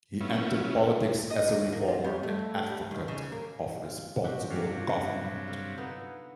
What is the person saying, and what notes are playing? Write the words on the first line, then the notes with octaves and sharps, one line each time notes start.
He entered politics as a reformer and advocate of responsible government.
F#3 B3 C#4 E4 F4
D#5
D#2
A#3
F4
G3
A3
G3
D#2
C#3
A#3
F4
C3 F#4 G4
G2 C3 F#3 A#3 G4 F5
D3 F4
D3 B3 D#4